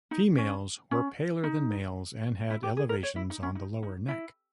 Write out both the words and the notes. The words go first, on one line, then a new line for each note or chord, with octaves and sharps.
Females were paler than males and had elevations on the lower neck.
D#4
C#4
C#4
D#4
E4
G4
G#4
A#4
C#5
E4
D#4
C#4
D#4
D#4
E4